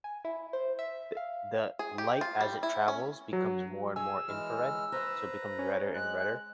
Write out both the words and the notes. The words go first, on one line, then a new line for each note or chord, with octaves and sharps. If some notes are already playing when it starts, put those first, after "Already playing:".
The the light as it travels becomes more and more infrared, so, it becomes redder and redder,
G#5
E4
C5
E5
F5
G#4
G4
F4
G3
E4
C#4
F#3
G#4 C#5 G#5 E6
E3 G#3 F6
B4 C5 F5 A#5
C#4
G#3 F#6